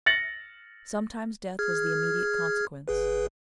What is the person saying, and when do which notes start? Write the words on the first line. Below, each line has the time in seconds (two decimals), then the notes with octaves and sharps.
Sometimes death was the immediate consequence.
0.06 A6 A#6 C#7 F#7
1.59 G#4 F6 G#6
2.88 G1 G#4 B4